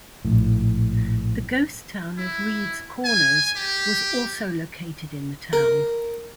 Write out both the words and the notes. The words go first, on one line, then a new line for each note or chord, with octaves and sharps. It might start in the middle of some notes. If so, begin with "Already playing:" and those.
The ghost town of Reeds Corners was also located in the town.
A#1 A2
E4
G#5
G4
A#4